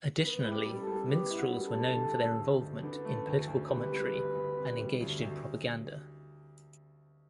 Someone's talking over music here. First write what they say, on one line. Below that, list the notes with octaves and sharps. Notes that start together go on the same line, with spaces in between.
Additionally, minstrels were known for their involvement in political commentary and engaged in propaganda.
B3
E4
G4
G3
A4
G3
B3 G4
E4
F#4
G3
A4
G3
D3
A3
D2
D2
D3 B4
A3
D2
D2
C3 B4
G3
D2
D2
C3
G3
D2
D2